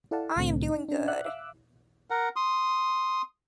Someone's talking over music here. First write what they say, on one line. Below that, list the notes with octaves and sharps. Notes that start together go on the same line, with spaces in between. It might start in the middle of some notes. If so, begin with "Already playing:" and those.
I am doing good.
E4 A4 D5 F5 F#5 A5
C2 A2 D3 A3 C4
D#4
C#4 D4
D5 E5 F#5 F#6
E5 F5 D6 E6 F#6
A#4 F#5
C6 D#6